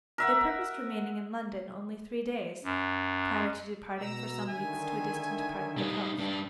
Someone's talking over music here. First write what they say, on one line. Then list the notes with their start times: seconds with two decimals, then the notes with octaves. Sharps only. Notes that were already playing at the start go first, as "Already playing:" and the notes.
They purposed remaining in London only three days, prior to departing for some weeks to a distant part of the coast.
0.18 A#4 E5 F#5
2.64 F#2
3.98 B2 A#5 E6
4.48 D3 D#3 E5 G#5
5.78 G3 D#4
6.19 G2 D4